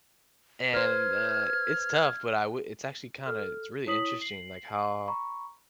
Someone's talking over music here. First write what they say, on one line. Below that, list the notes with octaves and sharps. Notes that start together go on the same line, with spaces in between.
and, uh, it's tough, but I would it's actually kind of it's really interesting like how
B4 C5 F6 G#6
A4 F6
E4 C#5 D#6 B6 F#7
C7 F#7
A#5 B5 C#6